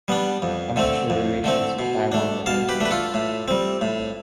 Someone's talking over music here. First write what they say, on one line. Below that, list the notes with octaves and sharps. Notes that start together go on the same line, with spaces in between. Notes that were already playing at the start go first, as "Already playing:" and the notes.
Unofficial relations with Taiwan were maintained.
G3 B3 D4
F2
D3 A3 C4
F2
D3 A3 C4
B2
A3 D4
B2 F5 A5
G4 B4
A3 D4 B4
F4 A4
A2
G3 C4
A2